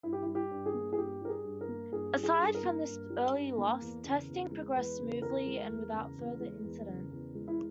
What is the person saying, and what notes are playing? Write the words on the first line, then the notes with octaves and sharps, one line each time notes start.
Aside from this early loss, testing progressed smoothly and without further incident.
G2 E4
G4
G3 E4
G4
G2
G#4
A#3
G#4
G2 G4
G3 A#4
G#4
G2
A#4
A#3
G2 G#4
G3
G#4
G2
A#4
A#3
G2
G3
G2
A#3
E2
C#3
E2
G#3
E2 B4
C#3
E2 A#4
G#3
E2
C#3
E2
G#3
E2
C#3
E2
G#3
E4